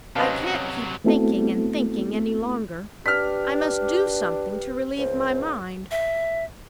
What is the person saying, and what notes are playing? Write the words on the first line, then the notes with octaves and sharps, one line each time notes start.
I can't keep thinking and thinking any longer; I must do something to relieve my mind.
C3 F#3 C#4 B4 C5 D#5 F5 A5
A3 B3 C4 E4 F#4 A4
D4 G4 B4 F6 B6
C#2 C5
E5